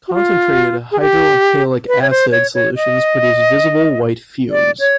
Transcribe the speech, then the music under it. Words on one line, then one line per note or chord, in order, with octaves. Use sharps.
Concentrated hydrohalic acid solutions produce visible white fumes.
F#4
F4
G#4
G4
B4
C#5
C5
C#5
C#5
D#5
D5
C#5